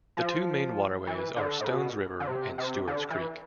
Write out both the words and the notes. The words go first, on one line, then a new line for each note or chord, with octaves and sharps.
The two main waterways are Stones River and Stewarts Creek.
F3
E3
D3
A2
B2
D3
C3
C3
D3
E3